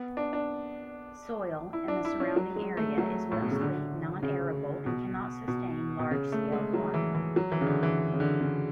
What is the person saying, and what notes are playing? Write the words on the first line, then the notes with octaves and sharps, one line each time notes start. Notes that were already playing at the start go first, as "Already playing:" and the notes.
Soil in the surrounding area is mostly non-arable and cannot sustain large scale farming.
Already playing: B3
D4
D4
E4
D4
E4
C#4
F#3
G#3
A3
F#3
A2
B2
C#3
D3
C#3
B2
B2
B2
C#3
A3
G#3
F#3
E3
E3
F#3
E3
C#3
D3
E3
C#3
D3
C#3